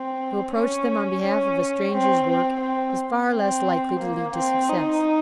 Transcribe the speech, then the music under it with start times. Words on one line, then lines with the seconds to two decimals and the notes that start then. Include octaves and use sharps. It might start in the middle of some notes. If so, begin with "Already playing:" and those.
To approach them on behalf of a stranger's work is far less likely to lead to success.
Already playing: C4
0.54 C#4
1.23 C#4
1.92 C4
2.27 C4
2.61 C4
3.31 C4
4.00 A#3
4.35 C4
4.69 D#4